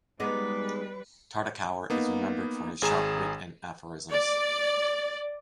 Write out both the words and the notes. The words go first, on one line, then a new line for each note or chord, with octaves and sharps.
Tartakower is remembered for his sharp wit and aphorisms.
G3 G#3 B3 D#4 B4 D6
A#3 B3 D#4
G#1 G#4 A#5 E7
D5